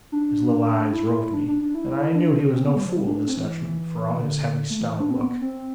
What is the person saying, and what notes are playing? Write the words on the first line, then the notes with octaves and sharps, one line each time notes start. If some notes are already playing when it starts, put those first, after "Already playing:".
His little eyes roved me, and I knew he was no fool, this Dutchman, for all his heavy, stolid look.
D4
E4
D4
D4
D4
E4
D4
C4
B3
G3
F3
G3
D4
D4
C4
E3
D3
A3
E3
E3
D4
C4
B3
C4